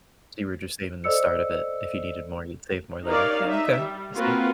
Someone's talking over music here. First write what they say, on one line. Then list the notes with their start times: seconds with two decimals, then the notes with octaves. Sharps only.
So you were just saving the start of it, if you needed more, you'd save more later? Yeah, okay, I see.
1.04 A4 C5 D5 D#5 E6 C#7
3.08 D#4 G4 A#4 C#5 D5 F5
3.46 D#4 E5
3.80 G3
4.16 A#3 C4 F4 F#4 A#4 B4